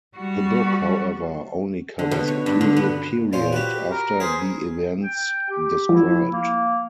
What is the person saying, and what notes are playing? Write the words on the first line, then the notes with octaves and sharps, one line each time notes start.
The book, however, only covers a two-year period after the events described.
G3 F#4
D3
B2
C#5
G2
D3
B3
A#2 C#4 C5
F#4 G4 B4
A#4
G#4 B4 C5
G5
G4
F3 E4
A#3